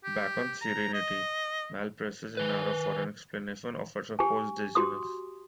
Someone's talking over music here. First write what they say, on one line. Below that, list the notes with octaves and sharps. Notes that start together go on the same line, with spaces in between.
Back on "Serenity", Mal presses Inara for an explanation of her supposed dizziness.
G4
A#5
D#5
D#3 B4
G4 G#5
F#4 G4 C6 D#6